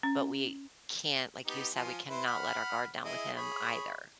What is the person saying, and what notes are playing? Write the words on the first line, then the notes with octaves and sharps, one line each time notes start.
"But we can't," like you said, "we cannot let our guard down with him either"
C#4
B3 D#4 G4
F3 F4 G#5
E4 B4 C5
F#5 B5 F6
E4 G#4 D#5
G#4 C#5 B5